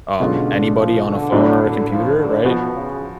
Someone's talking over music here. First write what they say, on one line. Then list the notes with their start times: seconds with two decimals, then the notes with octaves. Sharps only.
um, anybody on a phone or a computer, right?
0.20 B2 D3 G#3 C#4 F4
0.75 F3
1.04 D3
1.32 A2 D3 F#3 B3 D4
1.60 D3
1.88 F3
2.16 D3
2.45 B2 F3 B3 F#4
2.73 C#3